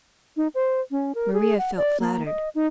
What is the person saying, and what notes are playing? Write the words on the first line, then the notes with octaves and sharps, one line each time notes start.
Maria felt flattered.
D#4
C5
C#4
A#4
G#4
F#5
D5
A#3
D#5
D#4